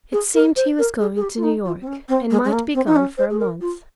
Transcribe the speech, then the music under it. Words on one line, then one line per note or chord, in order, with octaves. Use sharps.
It seemed he was going to New York, and might be gone for a month.
G#4
A#4
C5
A#4
G#4
G#4
G4
F4
D#4
F4
C4
C#4
C4
G#3
G#3
A#3
C4
D#4
C#4
C5
G#4
A#4
F4